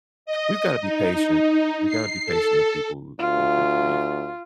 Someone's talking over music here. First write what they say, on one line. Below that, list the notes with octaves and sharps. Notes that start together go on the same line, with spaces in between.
we've gotta be patient. We gotta be patient with people who've been through grief.
D#5
D#4
C7
A4
D2 F4